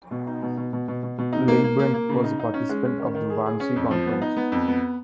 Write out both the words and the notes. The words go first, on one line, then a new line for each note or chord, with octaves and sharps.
Leibbrandt was a participant of the Wannsee Conference.
B2
D#4
B2
B2
B2
B2
B2
B2
D#4
A#3
A#3
A#3
A#3
C#3
D#4
D#4
C#4
G#3
C#4
D#3
D#3
G#4
G#4
C#4
F2
F3
B3
D#4
B3
F2
B3